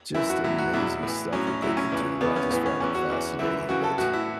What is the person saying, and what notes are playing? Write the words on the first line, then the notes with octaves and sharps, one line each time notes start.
just amazing stuff that they could do, I just found it fascinating, but,
F#2 E3 E4
F#4
A2 F#3 E4
F#4
E2 B2 F#3 E4
A2 E3
A2 F#3 C#4
C#4
A2 F#3 E4
C#4
E2 C#3 E3
E2 C#3 E3 B3
C#4
A2 E3 B3
C#4
E2 E3 C#4
F#4
E2 E3
F#2 E3 E4
F#2 C#3 E3 F#4
A4
A2 E3 F#4
E4